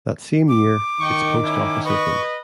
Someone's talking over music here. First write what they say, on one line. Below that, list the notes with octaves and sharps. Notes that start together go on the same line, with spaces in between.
That same year, its post office opened.
D6
D#3 D#5 G5 C#6
A#3 C#4 E4
B4 D#5 C#6